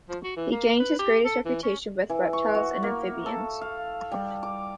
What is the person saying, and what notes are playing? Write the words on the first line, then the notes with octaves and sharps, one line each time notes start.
He gained his greatest reputation with reptiles and amphibians.
F3
F#4
E3
A#3
B4
G4
A4
E3
C#4
E3
C#6
F#4
A#3
A4
F5
G3
D6